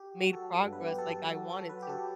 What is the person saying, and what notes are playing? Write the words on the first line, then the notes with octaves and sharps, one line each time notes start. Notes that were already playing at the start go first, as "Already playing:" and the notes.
made progress like I wanted to."
Already playing: G4
F#4
F#3 A4
G2
B3 B4
F#3 G4
A4
F#3
F#4
F#3 A4
F#4 B4
G4
F#3 A4